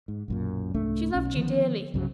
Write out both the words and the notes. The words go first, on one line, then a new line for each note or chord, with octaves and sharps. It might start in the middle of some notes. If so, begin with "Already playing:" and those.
She loved yo' dearly.
G#2
B1 F#2 A#2
C2 G#2 A3 D4
B1 C#4
D3 D#3 F3 B3
C2 G2 C#3 F#3